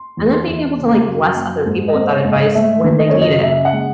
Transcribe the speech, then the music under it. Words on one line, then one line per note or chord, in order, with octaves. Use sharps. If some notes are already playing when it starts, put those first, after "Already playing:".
and then being able to, like, bless other people with that advice when they need it.
Already playing: C6
E2
C6
E2
C#3
F#2
F#2
G#2
D#5
C4
C#5
G#2
D#5
A3 E5
D#3
D#5
F#2 C#5
D#5
C#3 E5
F#5
G#3